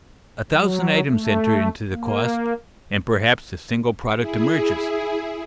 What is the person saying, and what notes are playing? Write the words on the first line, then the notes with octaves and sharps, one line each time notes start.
A thousand items enter into the cost and perhaps a single product emerges.
F#3
A3
A#3
E4 G#4